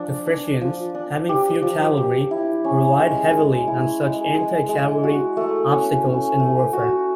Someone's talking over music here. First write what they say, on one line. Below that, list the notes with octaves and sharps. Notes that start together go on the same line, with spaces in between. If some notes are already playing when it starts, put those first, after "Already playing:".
The Frisians, having few cavalry, relied heavily on such anti-cavalry obstacles in warfare.
Already playing: F3 D4
D4
F3
D4
G4
F3
G4
E4
C#4
G#3
G#3
E4
G#3
G#3
G#3
F#4
A3
C#4
C#4
A3
F#4